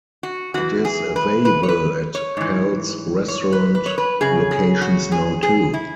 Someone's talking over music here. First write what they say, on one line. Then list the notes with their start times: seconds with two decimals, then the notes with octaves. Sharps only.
It is available at Pal's restaurant locations now too.
0.23 F#4
0.54 E2 E3 F#4
0.85 G#4
1.16 B4
1.45 B4
1.63 C#5
1.68 B4
2.15 C#5
2.37 G#2 E3
3.28 C#5
3.52 B4
3.75 B4
3.86 C#5
3.98 B4
4.21 F#2 C#3 G#4
4.51 G#4
4.81 F#4
5.12 G#4
5.43 G#4
5.74 E4